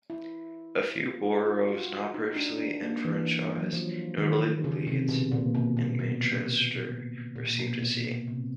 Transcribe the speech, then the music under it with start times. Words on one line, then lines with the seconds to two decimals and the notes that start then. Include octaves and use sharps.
A few boroughs not previously enfranchised, notably Leeds and Manchester, received a seat.
0.10 E4
1.00 F4
1.23 F4
1.46 F4
1.68 F#4
2.14 D#4
2.36 D4
2.59 D4
2.82 A#3
3.05 E3
3.58 F#3
3.73 F3
4.18 D#3
4.64 C#3
4.87 C3
5.08 B2
5.32 A#2
5.55 B2
5.77 B2
5.99 B2
7.36 A#2
7.59 B2
7.82 A#2
8.04 B2
8.27 C3